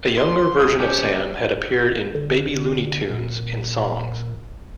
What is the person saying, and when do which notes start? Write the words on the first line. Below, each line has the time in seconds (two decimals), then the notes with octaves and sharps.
A younger version of Sam had appeared in "Baby Looney Tunes", in songs.
0.17 C6
0.60 C#2 D#6
0.80 C#3 C#4 G4 C5
2.15 D3
3.10 A#2